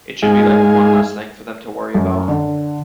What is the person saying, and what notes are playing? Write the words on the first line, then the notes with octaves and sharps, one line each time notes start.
it should be, like, one less thing for them to worry about.
G#2 G#3 D#4 G#4 F5 G#5
F#2
D3